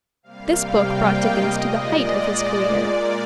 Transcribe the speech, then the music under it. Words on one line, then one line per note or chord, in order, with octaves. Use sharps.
This book brought Dickens to the height of his career.
C3 G3 A#3 F5
G5
F5
D#5
A#2 G#3
D5
A#2 G#3
A#4